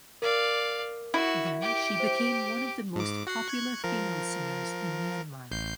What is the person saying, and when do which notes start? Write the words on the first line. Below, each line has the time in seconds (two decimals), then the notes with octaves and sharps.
Then she became one of the most popular female singers in Myanmar.
0.22 A#4 D5 F5
1.14 E4 F#4 E6
1.62 G4 G5
2.00 C5
2.96 G#2 D6
3.27 F#4 F#5 C7
3.48 C#6 F#6 G#6
3.84 F3 A#4
5.52 A1 G6 C7